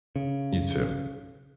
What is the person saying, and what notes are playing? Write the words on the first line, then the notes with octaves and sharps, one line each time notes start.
You too.
C#3